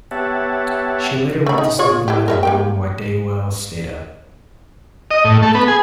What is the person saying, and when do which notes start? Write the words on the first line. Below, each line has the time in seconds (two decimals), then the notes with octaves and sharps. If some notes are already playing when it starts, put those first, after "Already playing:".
She later went to sleep in another room while Deuel stayed up.
0.11 B3 G4 C#5 E5 F#5 A5
1.46 A3 B5
1.58 D#4
1.79 F4 G#4 C#5
2.08 E4 G4
2.28 A#4 B4 E5
2.43 A#3 G4 G5
5.11 D#5
5.25 A2
5.42 A3
5.55 B3
5.68 G#4